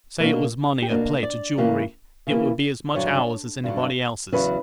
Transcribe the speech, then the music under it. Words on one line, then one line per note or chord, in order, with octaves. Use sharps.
Say it was money, or plate, or jewellery, it would be as much ours as anybody else's.'
B2 A#3 D4 A#4
G4
B2 A#3 D4 F#4
D5
C#3 E3 A#3
C#3 E3 A#3
G2 D3 F#3 C#5
G2 D3 F#3
E2 C#3 F#3 C#4 B4